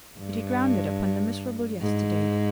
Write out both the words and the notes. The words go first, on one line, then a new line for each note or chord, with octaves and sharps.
Did he ground it upon the miserable yesterday?
G2
G#2